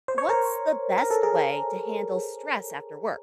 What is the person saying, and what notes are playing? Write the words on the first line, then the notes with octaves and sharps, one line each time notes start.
What's the best way to handle stress after work?
C5
C#5
A#4 C5
A#4
A4
G#4 A#4